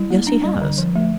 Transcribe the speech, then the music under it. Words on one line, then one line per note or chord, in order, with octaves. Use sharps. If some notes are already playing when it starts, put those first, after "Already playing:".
"Yes, he has."
Already playing: G3 E4
A#3
D4
G3
D3
F3
A3